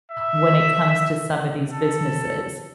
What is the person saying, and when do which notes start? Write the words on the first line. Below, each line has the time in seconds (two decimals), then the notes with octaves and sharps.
when it comes to some of these businesses.
0.11 E5
1.71 A4